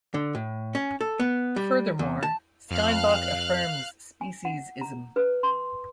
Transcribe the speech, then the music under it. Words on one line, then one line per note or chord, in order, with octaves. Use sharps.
Furthermore, Steinbock affirms speciesism.
D3
A2
C#4
A4
B3
G3
E2
A5
F2 F5 F6 F#6
G#5
F#5
A#5
B4
C6